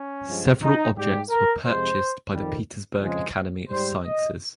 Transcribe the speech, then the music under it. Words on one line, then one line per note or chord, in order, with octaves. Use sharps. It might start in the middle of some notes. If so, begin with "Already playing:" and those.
Several objects were purchased by the Petersburg Academy of Sciences.
Already playing: C#4
G2 F3 G#3
D#4
G#2 G3 G4
A#4
F2 C3 F3 G#3 C5
F2 D#3 G3
F2 C#3 F3 G#3
G#2 G3 C5
D#5